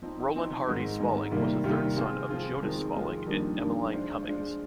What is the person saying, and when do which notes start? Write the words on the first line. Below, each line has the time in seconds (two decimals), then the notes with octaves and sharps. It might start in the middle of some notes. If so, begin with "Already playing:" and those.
Rolland Harty Spaulding was the third son of Jonas Spaulding and Emeline Cummings.
0.02 F3 C4 D#4
0.34 F3 C4 D#4
0.66 G#2 D#3 G#3 C4 D#4
0.99 G#2 D#3 G#3 C4 D#4
1.31 C3 D#3 G3 A#3 F4
1.63 C3 D#3 G3 A#3 F4
1.96 F3 C4 F4 G#4
2.28 F3 C4 F4 G#4
2.62 F2 D#3 G#3 C4 F4
2.94 F2 D#3 G#3 C4 F4
3.26 F2 D#3 G3 A#3 D4
3.58 F2 D#3 G3 A#3 D4
3.90 G#3 D4 F4 C5
4.23 G#3 D4 F4 C5